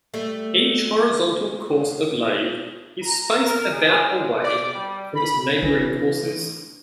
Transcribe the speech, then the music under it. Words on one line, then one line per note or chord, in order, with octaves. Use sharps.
Each horizontal course of lath is spaced about away from its neighboring courses.
G3 A3
A#5
A#4
G#4
G#3
D5
G3
B5
E3 D4 A#6